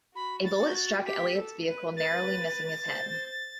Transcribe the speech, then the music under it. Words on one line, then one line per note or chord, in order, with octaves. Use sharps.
A bullet struck Elliott's vehicle, narrowly missing his head.
F#4 B5
A6
F#4
G6
A6
G4 B6
A4
B4
B4 A6
C5